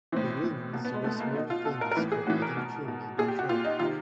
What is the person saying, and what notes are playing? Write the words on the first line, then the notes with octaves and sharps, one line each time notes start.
The "wings" were small fins providing trim and control.
A2 E3 C4
A2 E3
B2 A#3
B3
G#3
B2 A3
A#3
B2 D#4
F4
B2 A4
A#4
A#4
A2 E3 B4
G#4
A2 E3 F#4
A#4
B2
B2
A#2 G#4
G4
F#4
A#2 F4
D#4
C3 D#3 F4